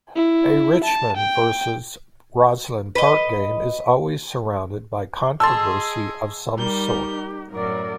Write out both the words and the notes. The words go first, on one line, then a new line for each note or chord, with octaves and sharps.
A Richmond versus Rosslyn Park game is always surrounded by controversy of some sort.
E4
A5
G5
B4 D#5
G#4 D#5 A5 C6 E6 A6
G3 D#4 G4 A#4 G6
F#2 A2 F#3 A#4 D5